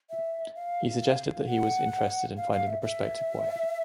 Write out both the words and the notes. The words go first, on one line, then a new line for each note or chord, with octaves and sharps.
He suggested that he was interested in finding a prospective wife.
E5
F5
F5
F#5
F5
F5
E5
E5